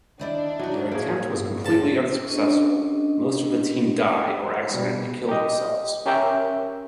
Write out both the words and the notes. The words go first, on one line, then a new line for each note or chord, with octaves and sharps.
Their attempt was completely unsuccessful: most of the team die or accidentally kill themselves.
D#3 D4 E4 D5
F#3 D#4 F#4
A2 A#3 C#4 G#4
G2
C#2 A5
C#4 D4 F4 G4 A4 D#5
B2 G3
G4 D#5
C#4 G4 A#4 E5 G5